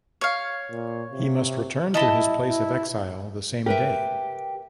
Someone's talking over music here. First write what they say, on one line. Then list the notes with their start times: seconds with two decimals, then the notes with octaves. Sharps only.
He must return to his place of exile the same day.
0.21 C#5 F5
0.70 A#2
1.12 C3
1.94 E4 D#5 A5 B5
2.49 E4
3.66 G4 A#4 B4 E5